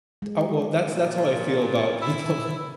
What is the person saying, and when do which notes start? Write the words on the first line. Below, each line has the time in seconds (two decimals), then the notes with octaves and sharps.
Oh, well, that's that's how I feel about people
0.22 G#3
0.86 A#2
2.01 E4